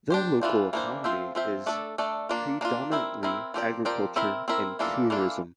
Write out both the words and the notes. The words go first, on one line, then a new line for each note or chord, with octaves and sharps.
The local economy is predominately agriculture and tourism.
D4 G4 C5
E3 A#3 D4 F4 C5
E3 A#3 D4 F4 C5
F3 C4 F4 C5 E5
F3 C4 F4 C5 E5
A3 D4 A4 D5
A3 D4 A4 D5
A#3 D4 F4
A#3 D4 F4
C4 E4 A#4
C4 E4 A#4
F3 C4 G4 A#4 D5
F3 C4 G4 A#4 D5
C4 E4 A#4 E5
C4 E4 A#4 E5
E3 A#3 D4 F4 A4
E3 A#3 D4 F4 A4